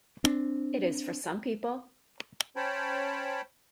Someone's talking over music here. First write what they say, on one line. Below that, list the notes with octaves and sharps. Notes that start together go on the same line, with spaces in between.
It is for some people.
C4 D4
C#4 C5 C#5 G5 A5 B5